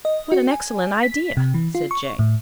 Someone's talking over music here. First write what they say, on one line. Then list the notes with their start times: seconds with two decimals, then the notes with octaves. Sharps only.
"What an excellent idea!" said Jane.
0.05 D#5
0.32 F#4
0.51 G#5
1.03 B6
1.37 C3
1.54 E3
1.75 F4
1.91 C#6
2.19 A2